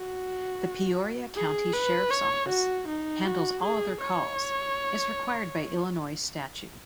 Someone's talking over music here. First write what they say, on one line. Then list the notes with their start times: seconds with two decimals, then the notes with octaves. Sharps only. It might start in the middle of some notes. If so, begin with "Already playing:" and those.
The Peoria County Sheriff's Office handles all other calls, as required by Illinois Statue.
Already playing: F#4
1.36 G#4
1.74 B4
2.11 C#5
2.49 F#4
2.88 D#4
3.25 F#4
3.63 G#4
4.02 C#5